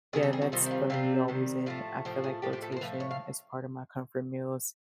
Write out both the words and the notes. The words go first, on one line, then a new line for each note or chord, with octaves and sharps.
yeah, that's gonna be always in, I feel, like, rotation as part of my comfort meals,
C3 D#3 G3 C4 G#4
A4
G#4
F#4
C3 D#3 G3 C4 F4
E4
F4
C3 D#3 G3 C4 F4
C3 D#3 G3 C4
A2 F3 A3 F4
A2 F3 A3 G4
G#4
A2 F3 A3 G4
G4
A4
A#4
C5
A2 F3 A3 B4
C#5
F5